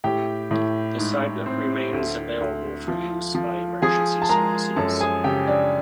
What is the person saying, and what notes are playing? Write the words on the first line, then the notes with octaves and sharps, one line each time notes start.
The site remains available for use by emergency services.
A2 G4 G5
A2
G#2
C4
D2
D2
F3
F3
F3 G#4 G#5
A5
G#3 A#4 A#5
F#2 A4 A5
G#4 G#5
C#3 G4 G5
D4 D5